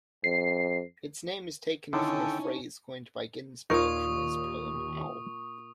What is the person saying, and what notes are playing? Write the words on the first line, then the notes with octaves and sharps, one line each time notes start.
Its name is taken from a phrase coined by Ginsberg, from his poem Howl.
F2 C7
D3 D#3 C#4 D#4 E4 A4 G5 A5
D#2 A#2 D#4 A#4 C#5 C#6 D#6